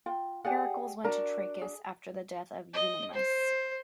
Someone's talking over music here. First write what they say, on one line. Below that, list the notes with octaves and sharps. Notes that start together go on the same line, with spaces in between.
Heracles went to Trachis after the death of Eunomus.
F4 G5
G4 G#4 D5 F#5
D4 F#4 A#4 D5 A#5
G#4
D#5
C5